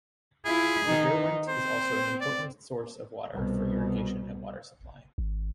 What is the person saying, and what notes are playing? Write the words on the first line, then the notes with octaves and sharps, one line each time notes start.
The Derwent is also an important source of water for irrigation and water supply.
E4 F4 G#4
D#3 D#4
C4 C5
D5
C2 B2
G#1